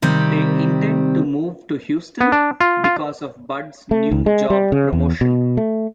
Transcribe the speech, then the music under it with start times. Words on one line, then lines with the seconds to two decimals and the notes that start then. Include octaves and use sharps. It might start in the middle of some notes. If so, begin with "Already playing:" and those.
They intend to move to Houston because of Bud's new job promotion.
0.02 C3 D#3 G3 C4
2.21 B3
2.32 D4
2.61 F4
2.84 F4
3.91 A3
4.11 C#2
4.26 G#3
4.50 G3
4.72 C#3
4.93 E2
5.21 B2
5.57 A3